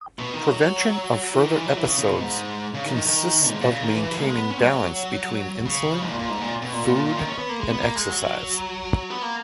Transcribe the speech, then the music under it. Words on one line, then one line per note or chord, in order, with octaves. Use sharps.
Prevention of further episodes consists of maintaining balance between insulin, food, and exercise.
B2
D#3
F#3
E3
D#3
E3
F#3
E3
C#3
C#3
B2
G#2
C#3
D#3
D#3
D#3
G#2
A#2
C#3
D#3
E3
E3
E3
A#3
G#3
B3
C#4
F#3
C#3
G#2
A#2
A#2
G#2
A#2
B2
A#2
A#2
A#2
A#2
D#3
C#4
B3
A#3
G#3
B3
A#3
G#3
F#3
B3
A#3